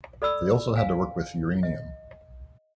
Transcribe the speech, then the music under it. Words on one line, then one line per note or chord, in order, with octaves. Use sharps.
They also had to work with uranium.
A4 D5 B5 E6
F5 G#5
D#5